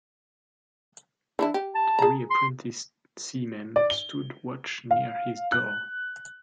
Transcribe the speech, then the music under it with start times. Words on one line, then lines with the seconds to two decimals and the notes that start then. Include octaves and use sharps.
We apprentice seamen stood watch near his door.
1.39 E3 D4 E4
1.54 G4
1.75 A5
1.99 G#4 A#5
2.31 C6
3.76 D5
3.90 G7
4.91 F5
5.52 F#6